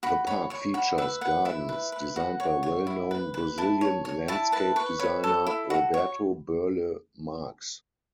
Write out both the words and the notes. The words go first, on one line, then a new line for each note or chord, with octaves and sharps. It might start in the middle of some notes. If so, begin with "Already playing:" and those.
The park features gardens designed by well-known Brazilian landscape designer Roberto Burle Marx.
F#4 B5
C#5 B5
C#5 C#6
F#4 B5
B4 E5
B4 F#5
E4 E5
B4
B4
F#4 F#5
C#5
C#5
E4
B4
B4
E4 A5
C#5
C#5
E4 A5
B4 A5
B4 C#6
C#5 B5
A4
E4
F#4
C#5